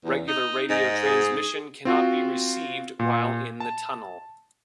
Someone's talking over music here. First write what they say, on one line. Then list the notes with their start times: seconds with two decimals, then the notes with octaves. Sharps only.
Regular radio transmission cannot be received while in the tunnel.
0.04 E2
0.28 D#4
0.70 G#2 D#5
1.02 G#4
1.85 C4 F4 F#4
2.99 A#2
3.60 A5